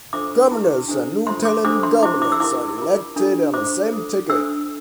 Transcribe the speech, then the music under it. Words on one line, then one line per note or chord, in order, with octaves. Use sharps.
Governors and lieutenant governors are elected on the same ticket.
D4 F4 A4 C5 D6
E4 G4 A#4
D4 A4 C5
F4 A4 C5 C6
D6
D4 A4 C5 D6
C6
E4 G4 C5 D6
D6
E6
E4 G4 A#4 D6
F4 A#4
D4 F4 A4
F4 C5 D6
F4 A4 C5
D4 A4 C5 E6